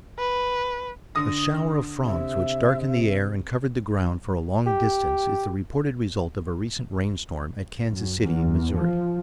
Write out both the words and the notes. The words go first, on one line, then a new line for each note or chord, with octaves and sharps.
"A shower of frogs which darkened the air and covered the ground for a long distance is the reported result of a recent rainstorm at Kansas City, Mo."
B4
D3 D#6 A#6
C3 E5
G4
F#2
E2
F3